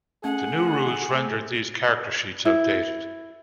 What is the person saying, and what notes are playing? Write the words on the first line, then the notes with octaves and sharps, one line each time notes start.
The new rules rendered these character sheets outdated.
A3 C#4 G#4 F#5
E4